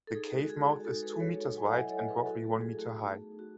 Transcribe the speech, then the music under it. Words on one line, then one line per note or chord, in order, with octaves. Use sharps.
The cave mouth is two metres wide and roughly one metre high.
A4
D#4 G#4
G#3 F#4
D#4 G#4
G#3
D#4 F#4 A4
G#3 G#4 B4
D#4 A4 C#5
F#4
F#3 G#5
F#5
E4 E5
D#5
F#3 A4 C#5
F#3 G#4 B4
E4 F#4 A4
A3 F#4
A3 G#4
A3 F#4
D#4 G#4
B3 G#4
D#4
F#4